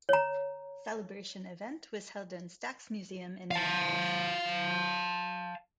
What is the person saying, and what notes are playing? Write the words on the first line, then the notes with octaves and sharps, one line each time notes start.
Celebration event was held in Stax Museum in Memphis.
C#5 A#5
F5 A5